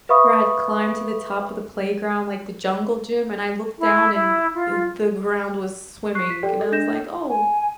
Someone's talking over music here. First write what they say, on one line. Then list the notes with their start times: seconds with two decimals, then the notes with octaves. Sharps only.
where I had climbed to the top of the playground, like, the jungle gym, and I looked down, and, uh, the ground was swimming and I was, like, "Oh,
0.09 B4 E5 F5 B5 C#6 D#6
3.78 E4
4.13 E4
4.54 F4
6.15 C#6 F#6 C7
6.30 B6
6.43 G4 A4 D5 G5
6.60 A4 D#5
6.72 D4 D#5 G6 A#6 E7
7.28 G#5